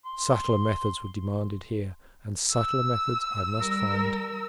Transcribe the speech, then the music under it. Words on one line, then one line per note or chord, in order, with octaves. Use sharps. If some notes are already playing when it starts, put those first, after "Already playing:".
Subtler methods were demanded here and subtler methods I must find.
C6
E6
G3 A#4